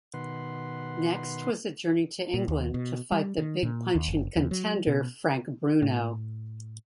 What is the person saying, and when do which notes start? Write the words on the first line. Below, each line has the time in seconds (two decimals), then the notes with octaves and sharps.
Next was a journey to England to fight the big-punching contender Frank Bruno.
0.14 B2 D#3 B4 F#5 C6
2.34 A#2
2.48 D#2
2.74 B2
3.12 G3
3.38 D#3
3.63 A#2
3.95 D#2
4.08 F#1
4.36 E2
4.51 F#3
4.87 B2
5.82 A2